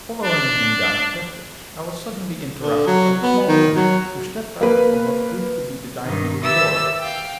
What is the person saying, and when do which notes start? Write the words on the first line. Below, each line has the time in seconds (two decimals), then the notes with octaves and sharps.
Following him down the passage I was suddenly interrupted by a small woman, who stepped out from what proved to be the dining-room door.
0.23 D4
2.60 D3
2.87 F#3
3.22 B3
3.48 D#3
3.76 F#3
4.61 A#3 B4
6.04 G2 D#3
6.41 D#3 G4 B4 E5 E6 A6
6.99 F5 G5